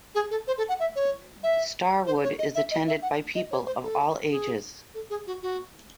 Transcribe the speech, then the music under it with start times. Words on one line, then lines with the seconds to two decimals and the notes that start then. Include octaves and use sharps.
Starwood is attended by people of all ages.
0.15 G#4
0.31 A4
0.47 C5
0.58 A4
0.69 F#5
0.80 E5
0.96 C#5
1.43 E5
2.06 C5
2.23 C#5
2.39 D#5
2.55 E5
2.71 D#5
2.87 E5
3.02 F#5
3.35 D#5
3.51 C#5
3.66 C5
3.83 A4
4.31 G#4
4.94 A4
5.10 G#4
5.27 F#4
5.43 F#4